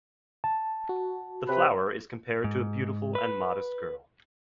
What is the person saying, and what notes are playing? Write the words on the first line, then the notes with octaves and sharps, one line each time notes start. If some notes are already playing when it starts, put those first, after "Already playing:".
The flower is compared to a beautiful and modest girl.
A5
F#4
C3 B4
G#2
B4